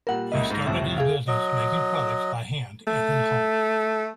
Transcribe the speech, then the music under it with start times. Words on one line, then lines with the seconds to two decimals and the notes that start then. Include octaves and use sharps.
He started his business making products by hand in his home.
0.07 A#2 G3 A#4 F#5
0.32 C#2 A#3 D#5 E5
0.50 G#2 A#6
0.67 C2 F2 A2 E5
0.98 G#4 F5
1.27 F#3 D#5
2.87 A3